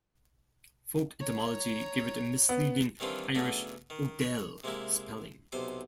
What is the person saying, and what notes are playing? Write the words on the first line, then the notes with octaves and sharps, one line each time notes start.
Folk etymology gave it a misleading Irish O'Dell spelling.
C#5 A#5
B3
D#3 E3 G3 C4 D4 F4
C#3 F#3 A3 B3 D4
D#3
C#5
C3 G#3 A#3 E4
B1 C3 C5 D6